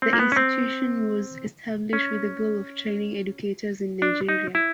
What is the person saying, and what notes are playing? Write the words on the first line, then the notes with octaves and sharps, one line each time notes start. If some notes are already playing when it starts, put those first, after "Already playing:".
The institution was established with the goal of training educators in Nigeria.
C4
A#3
B3
C#4
C4
C#4
D4
D#4
E4